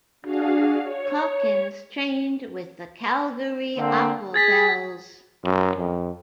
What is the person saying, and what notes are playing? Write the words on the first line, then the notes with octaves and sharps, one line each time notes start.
Calkins trained with the Calgary Aquabelles.
D4 F#4 G#4 F5
C#5
D3 A#3 C4
G#4 G#6 A6 B6
F#2
F2